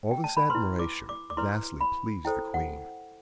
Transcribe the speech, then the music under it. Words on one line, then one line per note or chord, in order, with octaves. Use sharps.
All this admiration vastly pleased the Queen.
G5
A5
B5
E4 B4 C6
D6
D6
D6
E4 B4 C6
B5
E4 A4 C5 G5
F#5